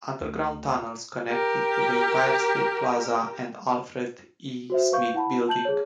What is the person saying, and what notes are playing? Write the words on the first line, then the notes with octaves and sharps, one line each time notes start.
Underground tunnels connect it to the Empire State Plaza and Alfred E. Smith Building.
D2
G4 A#4
F#4 C5 E5
B4 F5 C#6 G6
E4 F#5 A5 B5
A5 G6 F#7
G#4 C#5